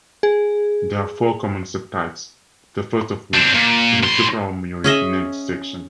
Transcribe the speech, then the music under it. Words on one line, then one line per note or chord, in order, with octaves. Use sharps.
There are four common subtypes, the first of which is the supraomohyoid neck dissection.
G#4
C4 D4
A#2
A2 C6
C#4 G#4 D#5 E5